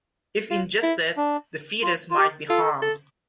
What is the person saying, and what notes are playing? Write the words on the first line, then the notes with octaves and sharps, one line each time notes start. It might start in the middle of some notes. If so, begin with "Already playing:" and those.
If ingested, the fetus might be harmed.
F4
E4
D4
F4
F4
G4
F4 A4
A4